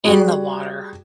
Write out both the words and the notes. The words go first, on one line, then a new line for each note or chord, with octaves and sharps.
in the water,
G3 F#4 G#4